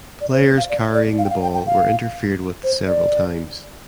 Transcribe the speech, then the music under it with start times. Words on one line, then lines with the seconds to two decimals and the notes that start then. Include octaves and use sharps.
Players carrying the ball were interfered with several times.
0.21 D5
0.33 C5
0.57 F5
0.69 D5
0.94 D5
1.18 F5
1.25 G5
1.30 F5
1.42 G5
1.54 G5
1.66 F5
2.63 C5
2.87 D5